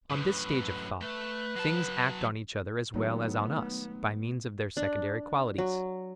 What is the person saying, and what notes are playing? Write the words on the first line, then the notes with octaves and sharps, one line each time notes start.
On this stage of thought things act on each other as well as on us by means of their secondary qualities.
F#2 A2 B4
A3 B4
F#3 A5
D#3 F#3 G#3 A3 B3
D4
F#3